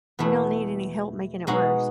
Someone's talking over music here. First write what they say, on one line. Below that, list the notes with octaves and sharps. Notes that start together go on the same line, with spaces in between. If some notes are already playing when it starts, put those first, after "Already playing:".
We don't need any help making it worse.
E2 B2 A3 E4
B2 G#3 D#4 F#4